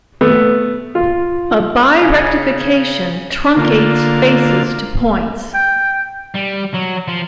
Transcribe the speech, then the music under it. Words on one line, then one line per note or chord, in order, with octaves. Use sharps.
A birectification truncates faces to points.
A3 B3
F4
C#3
D3 A#3 F4
G5
G3
F#3
F3